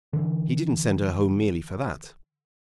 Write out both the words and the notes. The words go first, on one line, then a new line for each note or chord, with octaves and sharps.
He didn't send her home merely for that.
D3 E3